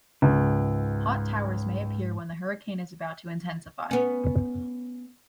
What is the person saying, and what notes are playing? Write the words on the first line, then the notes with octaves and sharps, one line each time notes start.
Hot towers may appear when the hurricane is about to intensify.
C#2 G#2
B3 C#4